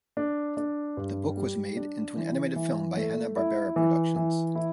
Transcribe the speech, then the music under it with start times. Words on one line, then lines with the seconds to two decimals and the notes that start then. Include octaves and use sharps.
The book was made into an animated film by Hanna-Barbera Productions.
0.17 D4
0.57 D4
0.97 G2
1.37 G3
1.77 D4
2.16 E3
2.56 E3
2.96 A3
3.36 E4
3.76 E3
4.16 E3
4.55 E4